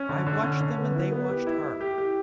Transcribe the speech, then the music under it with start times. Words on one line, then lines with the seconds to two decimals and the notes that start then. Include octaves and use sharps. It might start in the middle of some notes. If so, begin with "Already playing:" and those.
I watched them and they watched her.
Already playing: C#4
0.09 D3
0.26 D3
0.43 C#4
0.60 D3
0.78 B3
0.95 E4
1.12 B3
1.29 G4
1.47 E4
1.64 E4
1.81 G4
1.98 G4